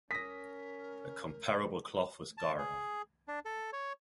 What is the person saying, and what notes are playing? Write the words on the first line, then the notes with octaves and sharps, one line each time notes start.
A comparable cloth was garha.
C#4 A#4 D#6 A#6 B6
A5
G#4
D4
A4
C#5